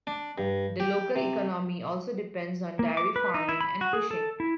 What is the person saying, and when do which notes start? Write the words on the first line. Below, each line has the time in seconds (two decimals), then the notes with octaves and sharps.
The local economy also depends on dairy farming and fishing.
0.07 D4
0.38 G2
0.80 G4
1.16 C3
2.79 A#3
2.97 D6
3.16 B4
3.34 D#4
3.49 E4
3.61 B5
3.81 F#4
3.93 G#4
4.11 A4
4.40 E4